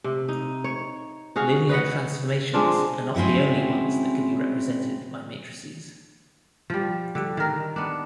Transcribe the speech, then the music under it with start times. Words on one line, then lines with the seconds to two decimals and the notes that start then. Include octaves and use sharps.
Linear transformations are not the only ones that can be represented by matrices.
0.04 C3
0.29 D#4
0.64 C#5
1.36 F#4 G#4 F5
1.69 B4 D#5 F#5
2.53 G#3 C4 D4 F4
3.15 G#3 C4 C#4 E4 F#4
6.70 F3 G3
7.15 D3 G3
7.37 D#3 A#4
7.76 B3 D4